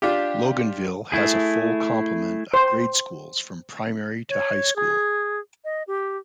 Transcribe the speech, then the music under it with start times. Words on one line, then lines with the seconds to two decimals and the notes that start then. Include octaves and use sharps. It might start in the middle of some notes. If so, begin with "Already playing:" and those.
Loganville has a full complement of grade schools from primary to high school.
0.02 D4 F4 G4
1.12 A3 E4 G#4
2.54 C5
4.29 C#5
4.76 G#4
5.65 D#5
5.87 G4